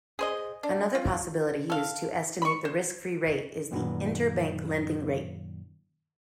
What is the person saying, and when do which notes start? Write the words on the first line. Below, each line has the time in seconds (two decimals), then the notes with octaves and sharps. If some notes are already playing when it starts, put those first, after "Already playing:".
Another possibility used to estimate the risk free rate is the inter-bank lending rate.
0.19 G#4 C5 D#5
0.63 D4
0.95 F4
1.70 A4 F5
2.42 B5 C#6
2.65 C5
3.71 F#2 A#2 D#3 F#4 B4